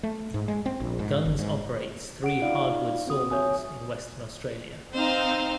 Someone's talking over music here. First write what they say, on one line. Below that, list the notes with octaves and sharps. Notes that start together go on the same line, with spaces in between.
Gunns operates three hardwood sawmills in Western Australia.
A3
G#2
G#3
C4
A#1
G#2
F#1
G#2
F#5 D7
D#4 F4 D5 F5
C4 F#4 D#6
C#5 E5 G#5 D#6
C4 D#4 C5 F5